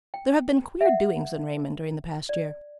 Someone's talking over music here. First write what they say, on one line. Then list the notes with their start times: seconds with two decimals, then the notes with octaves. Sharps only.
There have been queer doings in Raymond during the past year.
0.14 G5
0.81 E5
0.86 F#5
2.29 D5